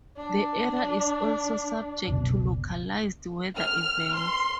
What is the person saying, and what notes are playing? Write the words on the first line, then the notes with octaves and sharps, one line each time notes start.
The area is also subject to localized weather events.
D4
F#1 C#2 B2
F6
C6